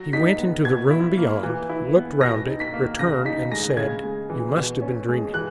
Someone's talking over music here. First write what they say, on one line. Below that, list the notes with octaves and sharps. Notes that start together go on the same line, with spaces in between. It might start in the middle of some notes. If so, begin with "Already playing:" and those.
He went into the room beyond, looked round it, returned, and said: "You must have been dreaming."
Already playing: F#3 A#6
D#4 B6
B3
B2 G#6
E4
A#3
E3
E4
B3
B2 A#6
D#4
B6
A#3
C#3 A#6
D#4 B6
G#3 A#6
C#3 G#6
G#3
E3
B2
C#4
G#3
E3 F#6